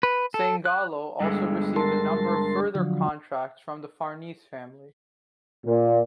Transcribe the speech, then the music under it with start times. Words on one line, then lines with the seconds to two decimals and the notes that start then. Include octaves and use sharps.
Sangallo also received a number of further contracts from the Farnese family.
0.03 B4
0.34 A4
0.65 F#6
1.20 G2 D3 G#3
1.76 A#4 A5 C6
2.75 D3 F3 F#3
5.66 A#2